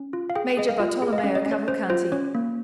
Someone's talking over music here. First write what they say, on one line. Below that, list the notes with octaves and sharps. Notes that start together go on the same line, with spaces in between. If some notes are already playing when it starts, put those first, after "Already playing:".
Major Bartolomeo Cavalcanti.
Already playing: C#4
F4
F5
G#4 G5
G#4 D#5
F5
F4
G#4
D#5
F5
C#4
D#5
C#4
C#5
C#4 C5
F4 C5
C#4 C#5
A#3